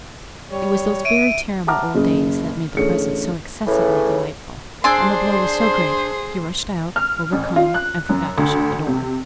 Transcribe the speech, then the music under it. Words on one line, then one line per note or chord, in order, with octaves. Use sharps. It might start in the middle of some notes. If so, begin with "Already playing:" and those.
It was those very terrible old days that made the present so excessively delightful, and the blow was so great he rushed out, overcome, and forgot to shut the door.
G3 C#5
E5 D7 D#7
E5 F#5 A5 A#5 D6 F6
F#1 C#3 G#4
A1 D3 G#4 A4 C#5 C#7
A2 C#3 E3
D4 G#4 C5 G#5 C6 E6 G#6
F6
A1
F4
F#6
F#2
D2
C3